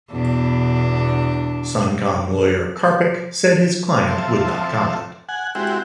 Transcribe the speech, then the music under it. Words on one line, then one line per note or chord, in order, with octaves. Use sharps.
SunCom lawyer Carpick said his client would not comment.
E2 B2 D4
F3 C4 A4 E5
F#5 G#5
G#3 C4 E4 F#4 G4